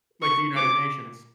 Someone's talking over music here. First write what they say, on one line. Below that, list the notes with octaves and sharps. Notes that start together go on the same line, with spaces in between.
like the United Nations.
C#6
D6